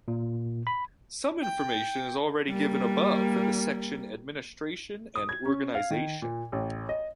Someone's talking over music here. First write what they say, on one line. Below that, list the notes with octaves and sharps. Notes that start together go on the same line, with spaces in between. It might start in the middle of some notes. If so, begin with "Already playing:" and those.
Some information is already given above, in the section "Administration and organization".
A#2
B5
G5
G3 A#3
D#6
G#6
C#4
F5
D#3
A#2
A1
D#5